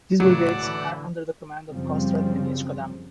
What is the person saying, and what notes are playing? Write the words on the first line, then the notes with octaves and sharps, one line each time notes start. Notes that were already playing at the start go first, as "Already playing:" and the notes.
These brigades are under the command of Kostrad and each Kodam.
A2 C#3 E3 F#3 D5 F#5 A5
D3 E3
F#2 C#3 F3 G3 C4